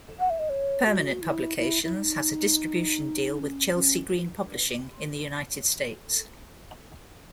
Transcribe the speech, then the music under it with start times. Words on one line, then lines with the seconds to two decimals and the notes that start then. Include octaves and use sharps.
Permanent Publications has a distribution deal with Chelsea Green Publishing in the United States.
0.19 F#5
0.30 E5
0.39 D#5
0.50 C#5
0.86 F#4
1.22 E4
1.58 E4
1.83 E4
1.94 D#4
3.38 C#4
3.74 C#4